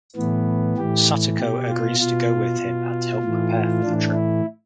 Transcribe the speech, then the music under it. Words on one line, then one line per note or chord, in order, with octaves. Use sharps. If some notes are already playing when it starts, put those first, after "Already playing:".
Satoko agrees to go with him and help prepare for the trip.
A2 E3 B3
A2 E3 G4
B2 G4
F4
B2 F4
B2
A2 E3
A2 E3 D4
E4